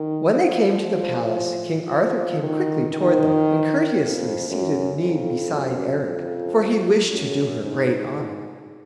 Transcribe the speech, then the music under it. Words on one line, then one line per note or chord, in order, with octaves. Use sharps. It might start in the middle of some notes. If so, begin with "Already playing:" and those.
When they came to the palace, King Arthur came quickly toward them, and courteously seated Enide beside Erec; for he wished to do her great honour.
Already playing: D#3
F3
F3
F3
D#3
D#3
F2
F#2
F2
F#2
F2
F#2
G#2